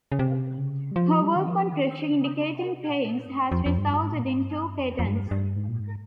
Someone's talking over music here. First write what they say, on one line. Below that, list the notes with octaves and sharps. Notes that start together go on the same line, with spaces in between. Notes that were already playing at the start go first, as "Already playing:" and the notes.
Her work on pressure indicating paints has resulted in two patents.
C#3
C3
C#3
G3
F3
G3
D#3
F3
D#3
C#3
C3
A#2
C3
A#2
G2
F2
F2
G2
G#2
A#2
G#2
G2
F2
F2
G2
G2
G#2
A#2
G#2